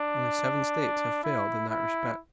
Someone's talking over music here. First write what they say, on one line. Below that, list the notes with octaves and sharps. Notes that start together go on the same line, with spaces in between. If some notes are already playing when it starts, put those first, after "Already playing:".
Only seven states have failed in that respect.
Already playing: D4
E4
E4